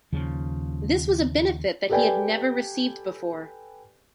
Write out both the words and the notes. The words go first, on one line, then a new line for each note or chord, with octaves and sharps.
This was a benefit that he had never received before.
D#2 C#3 F3
G4 A4 B4 D5 G5 G#5